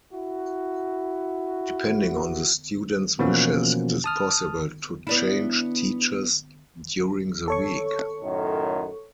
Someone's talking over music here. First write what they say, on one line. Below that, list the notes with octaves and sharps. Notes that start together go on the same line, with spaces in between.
Depending on the student's wishes, it is possible to change teachers during the week.
E4 F#4
B2 E3 F3 A#3 C#4 F#4
A5 D#6 F6
B3 D4 E4
A4 C#5 C#6
F#2 A2 D#3